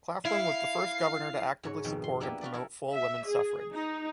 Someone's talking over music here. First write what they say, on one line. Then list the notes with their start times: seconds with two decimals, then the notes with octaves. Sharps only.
Claflin was the first governor to actively support and promote full women's suffrage.
0.25 E4 F5 C7
1.64 G#2 F#4 C#5
1.84 F2 B2 D#3
2.04 C6
2.21 A#3 B3 D4 E4 G4
2.41 F4 F#4 B4 D5
2.54 E4 A4 A#4
2.94 E5
3.27 G#4
3.73 D#4